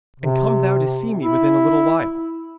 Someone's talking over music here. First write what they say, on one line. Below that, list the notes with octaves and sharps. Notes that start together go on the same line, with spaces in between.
And come thou to see me within a little while.'
C3
E4